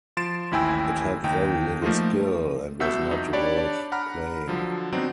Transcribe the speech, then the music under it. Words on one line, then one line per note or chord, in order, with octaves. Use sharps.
It had very little skill, and was not worth playing.
F3 C6 A6 D7 E7
A1 D#2 E4 G5 G#5 E6
D#2 D#4 G5
F3 A3 A#3 D#4 F4
C2 B3 F#4 E5 E6 G6
F2 D#4
D4 G4 C#5 D5 A5 B5
F#5 A#5 B5 F6
D3 F3 F#3
F#3 B3 C4 D4 D#4